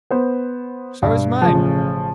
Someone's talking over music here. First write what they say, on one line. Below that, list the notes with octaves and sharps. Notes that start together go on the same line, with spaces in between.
"So has mine."
B3 C5
G2 B2
A1 C#3 F3